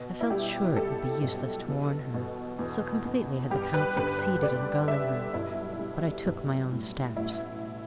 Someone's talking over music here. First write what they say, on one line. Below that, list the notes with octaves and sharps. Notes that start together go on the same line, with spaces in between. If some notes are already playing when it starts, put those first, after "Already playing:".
I felt sure it would be useless to warn her, so completely had the Count succeeded in gulling her; but I took my own steps.
Already playing: B2
E4
G3 G4
G3 A4
B1
E2
B2
E2
E2
G2 G4
B4
D3 B4
B4
A3 D5
G2 E5
B1 E4
G3
B1
A2
A1 E4